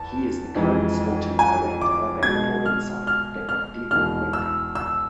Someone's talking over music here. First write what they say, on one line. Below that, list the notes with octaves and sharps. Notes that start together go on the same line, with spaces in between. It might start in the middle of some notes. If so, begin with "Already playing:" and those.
He is the current sporting director of Ecuadorian side Deportivo Cuenca.
Already playing: E2 A5
F2 E3 G#3
G#5
D6
B2 G#3 G#6
F6
F6
F6
E2 B2 G#3 F6
E6
E6